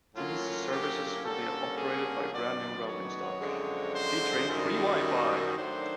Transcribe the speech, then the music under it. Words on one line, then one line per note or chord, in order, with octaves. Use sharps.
These services will be operated by brand new rolling stock, featuring free WiFi.
A2 F#3 A#3 C#4 F4
G4
D3 G3 A#3 C#4 A4
G#4
F#2 D#3 F#3 B3 D5
C#5
F#2 D3 F3 G#3 C4
C5
F#2 D#3 G3
D#3 F#3 A3 D4 C5